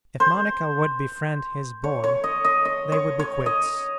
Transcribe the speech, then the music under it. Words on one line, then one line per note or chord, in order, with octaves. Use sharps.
If Monica would befriend his boy, they would be quits.
C5
C#5
C#5
D#5
D#5
D#5
C#5
C#5
D#5